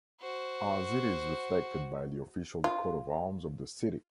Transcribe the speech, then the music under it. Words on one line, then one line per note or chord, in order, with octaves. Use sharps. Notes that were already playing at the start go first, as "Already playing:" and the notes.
As it is reflected by the official coat of arms of the city.
F#4 C5
F4